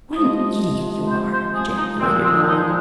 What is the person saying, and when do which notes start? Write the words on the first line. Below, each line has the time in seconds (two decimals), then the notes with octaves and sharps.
"What an idiot you are!" ejaculated Roland.
0.17 C3 F3 G#3 D#5
1.08 C5
1.31 C5
1.54 G#4
1.77 D#4
2.00 A#2 F3 G#3 C4
2.23 C4
2.41 C4
2.45 D#4